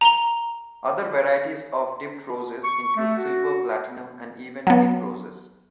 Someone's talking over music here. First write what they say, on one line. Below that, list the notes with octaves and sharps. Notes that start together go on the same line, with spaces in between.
Other varieties of dipped roses include silver, platinum, and even tin roses.
A#5 F7 G7
C#6
A3
F#4
F#3 B3